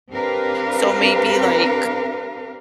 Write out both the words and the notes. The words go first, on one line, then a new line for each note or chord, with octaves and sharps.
So maybe like
C4 D4 G4 A#4 B4 F5